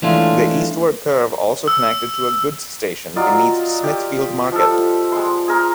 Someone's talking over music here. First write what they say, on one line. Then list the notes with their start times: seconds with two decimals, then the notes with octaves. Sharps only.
The eastward curve also connected to a goods station beneath Smithfield market.
0.02 E3 G#3 A3 C#4 D4 F4
1.68 E6
3.16 F#3 F4 D5 D#5
3.84 G4
4.52 F3 A4
5.12 G#3 C6
5.48 G#4 A#4